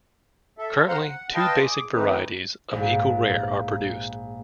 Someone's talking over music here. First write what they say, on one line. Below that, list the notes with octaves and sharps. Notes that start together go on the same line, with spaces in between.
Currently, two basic varieties of Eagle Rare are produced.
A4 E5
C5 F5 F#5 A#5 C6
F#5
B4 D#5 F5 G5 A5 C6
G#4 D6
D#3 E3 A3 C4 D#4 B4
A#1 G#2